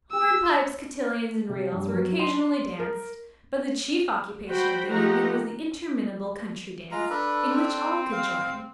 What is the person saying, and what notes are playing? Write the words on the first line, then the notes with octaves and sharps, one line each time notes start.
Hornpipes, cotillons, and reels, were occasionally danced; but the chief occupation of the evening was the interminable country dance, in which all could join.
E6
C3
G2
F#3
C6
A#4
F#4 C5 G5 B5
F3 A3 D#4 G4 F#5 A#5
G#3 F4 A#5
D4 A4 B4
C4
F5